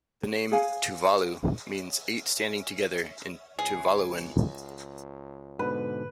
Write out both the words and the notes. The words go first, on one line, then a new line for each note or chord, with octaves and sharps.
The name, Tuvalu, means "eight standing together" in Tuvaluan.
G#4 F5 G#5
C#2 G#4
G#2 B2 D3 B4